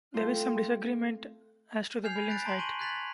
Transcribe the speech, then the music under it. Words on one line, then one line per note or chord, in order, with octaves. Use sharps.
There is some disagreement as to the building's height.
A3 C4 F4
G#5 F6 G6 G#6 C7 F7
B5
F#6 G6 A6 B6 D7
A5 A#5 C6 A#6 B6 F#7
C#6 G6 D#7 F#7
F#6 G#6 A6 B6 F7 F#7